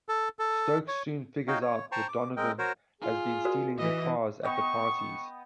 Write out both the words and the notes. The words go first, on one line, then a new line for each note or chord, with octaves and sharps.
Stokes soon figures out that Donovan has been stealing the cars at the parties.
A4
A4
C#5
D#4 F#4 C#5 D#5 F5 G5
C#5
C5 G5 A5 A#5 C6 C#6
D6
G#3 C4 A#4 D#5 G5
F#4 A#4 C5 C#5
F4 G#4
F#4 A#4 D5
E3 D#5
B3 D#5 G5 C#6